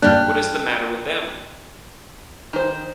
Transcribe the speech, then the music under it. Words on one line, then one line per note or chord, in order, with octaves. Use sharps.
What is the matter with them?
F#2 G3 A#3 D4 G4 F6 F#6
D#3 C5